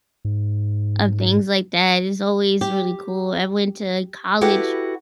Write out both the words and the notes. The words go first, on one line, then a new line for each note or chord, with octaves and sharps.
of things like that. It's always really cool. I went to college
G#2
G4
E4 F#4 G4 A4 B4